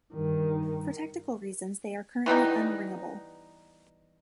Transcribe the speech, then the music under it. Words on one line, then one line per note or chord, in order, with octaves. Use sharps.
For technical reasons they are currently unringable.
G2 D#3
E3 G3 B3 D#4